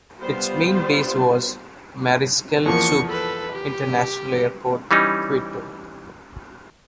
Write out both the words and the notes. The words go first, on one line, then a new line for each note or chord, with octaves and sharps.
Its main base was Mariscal Sucre International Airport, Quito.
G3 B3 F4 C5
E2 F3 A#3 C#6 C#7
A4 B4
G4
E3 G3 C#4 D#4